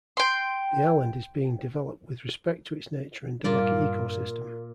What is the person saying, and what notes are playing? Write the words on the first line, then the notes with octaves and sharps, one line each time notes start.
The island is being developed with respect to its nature and delicate ecosystem.
G5 C6
G2 A#2 F4 D5